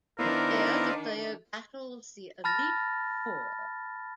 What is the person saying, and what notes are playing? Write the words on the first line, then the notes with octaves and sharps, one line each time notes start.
There the player battles the Elite Four.
D#3 B3 D4 E4 A#4 C5 D5 F5
A5 B5 F6 A6 A#6